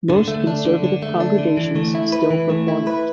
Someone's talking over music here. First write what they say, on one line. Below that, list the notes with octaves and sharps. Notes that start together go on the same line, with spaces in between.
Most Conservative congregations still perform it.
D3
A3
D4
D3
D3
A3
D4
D3
E3
A3
E4
B4
E3
A3
E4
B4